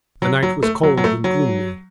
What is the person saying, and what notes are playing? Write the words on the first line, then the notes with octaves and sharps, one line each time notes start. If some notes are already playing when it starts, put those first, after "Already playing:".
The night was cold and gloomy.
F#3
F#3
A3
F#3
F#3
A3
F#3